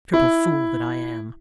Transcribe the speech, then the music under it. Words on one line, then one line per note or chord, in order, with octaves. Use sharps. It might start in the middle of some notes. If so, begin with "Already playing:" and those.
Triple fool that I am!
E4